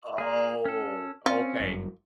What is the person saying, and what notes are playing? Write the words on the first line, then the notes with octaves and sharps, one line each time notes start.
Oh, okay.
A#3 G#4
C#4 A4
C4 C#4 F4
G1 F#2